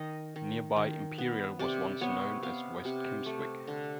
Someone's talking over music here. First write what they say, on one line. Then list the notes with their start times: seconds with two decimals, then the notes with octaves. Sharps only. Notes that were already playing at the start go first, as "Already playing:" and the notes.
Nearby Imperial was once known as West Kimmswick.
Already playing: D#3 D#5
0.36 D#3
0.76 D#3
1.18 B3
1.59 C3 D5
2.01 B3 C#5
2.43 B3 F5
2.85 C3
3.26 A3
3.67 D3